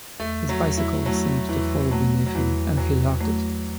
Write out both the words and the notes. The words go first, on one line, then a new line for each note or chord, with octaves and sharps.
His bicycle seemed to fall beneath him, and he loved it.
E2 A3
F#3
E2
E4
F#3 A3
E2 E3
F#3 A3
F#3
E2 E3
E2 F#3
F#3 A3